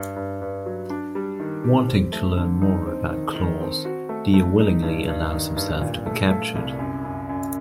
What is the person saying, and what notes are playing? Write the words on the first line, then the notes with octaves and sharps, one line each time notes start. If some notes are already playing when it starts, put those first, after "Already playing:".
Wanting to learn more about Claus, Dio willingly allows himself to be captured.
Already playing: G2
G2
G2
F#3
D4
G3
D#3
G4
C4
A3
D3
D#4
C4
D#3
D#3
C4
F#4
A3
A3
D#4
G2
G2
D#3
G2
A#2
A3
A3
C2
F#2
F#2
F#2